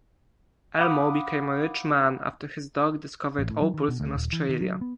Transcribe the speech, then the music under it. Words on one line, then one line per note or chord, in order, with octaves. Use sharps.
Elmo became a rich man after his dog discovered opals in Australia.
F5 F#5 B5 D6 D#6
A1
A2
F#3
D#3
B2
D2
D#1
E3
D#3
F#3
B3